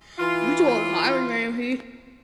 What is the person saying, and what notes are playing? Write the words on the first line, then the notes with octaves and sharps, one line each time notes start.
You do all the hiring around here.
E3 F4